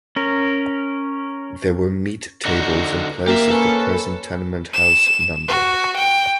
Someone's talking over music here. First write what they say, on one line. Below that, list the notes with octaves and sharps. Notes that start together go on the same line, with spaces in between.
There were meat tables in place of the present tenement house no.
C#4 A#4
D3 D#4 F#4
A#3 G4 E5
C#4 A4 B4
E7
F#4
G5